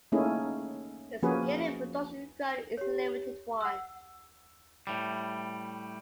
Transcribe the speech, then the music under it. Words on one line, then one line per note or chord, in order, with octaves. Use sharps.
Its yearly production run is a limited one.
A3 A#3 C#4 D#4 E4 G#4
F3 A#3 C#4 F#4 G#4 B4
G4 C#5
F#5 E6
A2 G3